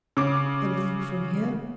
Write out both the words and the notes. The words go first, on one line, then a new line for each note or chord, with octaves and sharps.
"A league from here."
C#3 D6